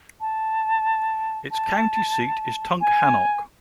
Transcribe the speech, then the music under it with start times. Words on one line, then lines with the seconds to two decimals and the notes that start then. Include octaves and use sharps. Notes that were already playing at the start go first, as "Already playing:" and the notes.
Its county seat is Tunkhannock.
0.21 A5
1.51 A5
2.81 G#5